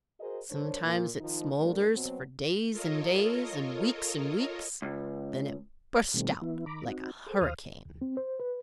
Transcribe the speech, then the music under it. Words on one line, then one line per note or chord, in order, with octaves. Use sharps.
"Sometimes it smoulders for days and days, and weeks and weeks; then it bursts out like a hurricane."
F#4 G#4 A#4 C5 D#5
G2 D4 A#4 C5 C#5
A#2
D#3 F3 D#4
A#2 G3 A3 A#3 D4 A#4
B2 F#3 C4
F4 A4 A#4 C#5 D#5
C#2
B2 D#3 G3 A3 C4
E3 B3 E4
D#3 A#5 B5 D6
C4 D#4 F#4
G#4 A4 C5
D#2 C5 F5 D#6 F6
D2
C4
C5
B4